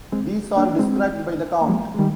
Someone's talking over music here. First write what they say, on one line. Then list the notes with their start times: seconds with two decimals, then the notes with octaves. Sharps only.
These are described by the count.
0.12 G#3 C4
0.57 A#3 D4
0.69 D4
0.79 G#3 C4
1.61 A#3
1.69 F3 G#3
1.95 G#3
1.99 D#3 G3